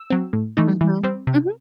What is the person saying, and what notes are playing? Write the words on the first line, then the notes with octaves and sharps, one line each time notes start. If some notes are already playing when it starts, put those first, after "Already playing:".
Mhm. Mhm.
Already playing: E6
F#3 C4
A2
E3 A3 D#4
E3
G3 C4
C3